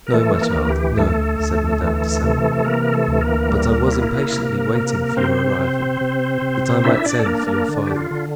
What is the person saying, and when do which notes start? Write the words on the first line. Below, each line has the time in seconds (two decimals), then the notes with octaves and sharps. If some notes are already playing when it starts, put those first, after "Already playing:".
"No, my child, no," said Madame de Saint-Meran; "but I was impatiently waiting for your arrival, that I might send for your father."
0.07 A#4
0.13 E3 A3 A4
0.41 A#3 A#4
0.55 D2
0.69 G4
0.97 D2 A3 A4
1.40 D2
1.81 E3
2.23 C3
2.65 E3 A#3 A#4
2.93 A3 A4
3.07 D2
3.21 A#3 A#4
3.49 G3
3.92 E4
4.32 C3
4.75 C3
5.17 C3 C4 C5
5.58 C3
6.01 C3
6.42 C3
6.84 D4 E4 E5
7.05 D4 D5
7.19 A4
7.26 A#3 D4 A#4
7.47 A#3 A#4
7.68 D3
7.86 G4
7.96 F4
8.11 D3